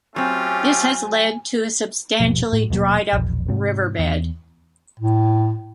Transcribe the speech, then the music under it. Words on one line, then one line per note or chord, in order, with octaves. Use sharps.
This has led to a substantially dried-up riverbed.
F#3 A3 C4 C#4 F4 G4 G#5
D#1 G2 B2 F3
A2 A3
D#1 B2 F#3 A#3
E1 A#1
G#2 C3
E2
A2